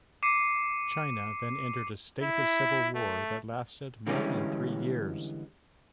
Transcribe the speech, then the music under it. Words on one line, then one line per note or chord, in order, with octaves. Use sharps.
China then entered a state of civil war that lasted more than three years.
D6 C7 C#7 D#7
E4
A3
D3 E3 G3 G#3 C4 C#4